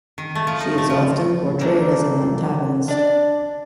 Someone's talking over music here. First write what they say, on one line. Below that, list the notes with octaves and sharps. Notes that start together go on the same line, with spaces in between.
She is often portrayed as an antagonist.
D#3
A3
F3
D#4
A3
F3
A3 A#3 D4
D4 D5